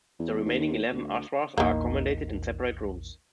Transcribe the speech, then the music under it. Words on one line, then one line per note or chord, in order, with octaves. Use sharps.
The remaining eleven Azhwars are accommodated in separate rooms.
E2
D#2
D2
A#1 E2 D#3 A#3